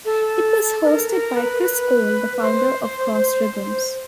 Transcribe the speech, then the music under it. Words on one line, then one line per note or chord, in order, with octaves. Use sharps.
It was hosted by Chris Cole, the founder of Cross Rhythms.
A4
B4
A#4
A#4
B4
B4
C5